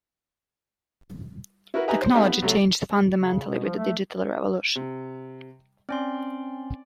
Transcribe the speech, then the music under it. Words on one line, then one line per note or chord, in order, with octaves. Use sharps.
Technology changed fundamentally with the digital revolution.
E4 F#4 A#4 B4
D#4 G4 B4 E5 G#5 A#5
C5
A3 C4 D#4 G4 F5 G#5
B3
C2 F#3 A3
C#3
B2
F3
A3
C3
C4 C#4 D5 C6